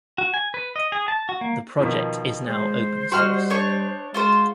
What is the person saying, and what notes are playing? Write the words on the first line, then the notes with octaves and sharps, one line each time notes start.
The project is now open source.
F#4
G#5
B4
D#5
G#4
A5
F#4
A#3
B2 D#3 F3
G#3 C5
G3 F#4 D#5 F#5 C6 F6
D4 C#5 C#6
G#3 F4 F#4 C5